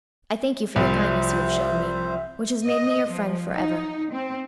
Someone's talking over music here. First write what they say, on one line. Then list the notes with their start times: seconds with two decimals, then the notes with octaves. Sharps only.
I thank you for the kindness you have shown me, which has made me your friend for ever.
0.76 C2 F3 G3 C5 E5
2.65 D#5
3.11 F3
3.53 D#4
4.12 C4